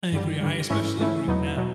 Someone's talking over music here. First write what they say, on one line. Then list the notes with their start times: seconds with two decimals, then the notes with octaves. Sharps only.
I agree. I especially agree now.
0.12 G2 D3 G3
0.41 G2 D3 G3
0.70 G#2 E3 A3 C#4 E4
0.98 G#2 E3 A3 C#4 E4
1.27 E2 B2 F#3 B3 D#4
1.57 B2 F#3